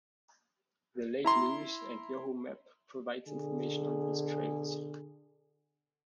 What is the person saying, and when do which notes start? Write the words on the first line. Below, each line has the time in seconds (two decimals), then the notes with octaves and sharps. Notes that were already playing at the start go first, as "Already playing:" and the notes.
The Lake Louise and Yoho Map provides information on these trails.
1.24 E4 A#5 C6
3.27 B2 D3 G#4